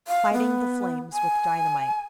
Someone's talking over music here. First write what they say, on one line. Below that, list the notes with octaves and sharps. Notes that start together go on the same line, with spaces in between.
Fighting the Flames With Dynamite.
F5
B3
G#5